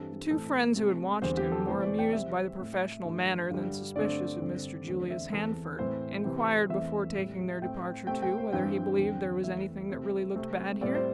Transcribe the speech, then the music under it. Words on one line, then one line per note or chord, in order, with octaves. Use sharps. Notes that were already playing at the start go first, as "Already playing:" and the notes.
The two friends who had watched him, more amused by the professional manner than suspicious of Mr Julius Handford, inquired before taking their departure too whether he believed there was anything that really looked bad here?
Already playing: G2 E3 G3 C4 A4
A2 E3 A3 C4 A4
C3 A3 C4
E2 D3 G3 C4 C5
G4
A4
C3 E3 A3 C5
D5
G5
C3 G3 C4 E5
A2 A3 C4
G2 E3 A3
G2 D3 G3
G2 D3 A3 C4 D5
G2 D3 G3 C4
E2 D3 A3 C4
E5
E2 E3 C4 A4
A2 E3 C4 C5
C3 E3 C4
E2 E3 A3 C4 E5
A2 G3 C4
A2 A3 C4 G5
C3 A3 C4 G5
G5
C5
G2 E3 C4 G5
E2 D3 C4
E2 E3 A3 C4 E5
C3 A3 C4
C3 A3 C4
A2 G3 C4 D5
C5